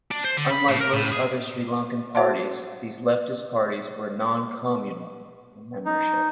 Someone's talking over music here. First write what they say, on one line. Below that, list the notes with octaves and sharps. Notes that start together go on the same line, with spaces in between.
Unlike most other Sri Lankan parties, these leftist parties were noncommunal in membership.
D4
C5
D3
B5
A2
A#4
A2
G#4
F#4 C5 E5 F#5 A5 C6
D#4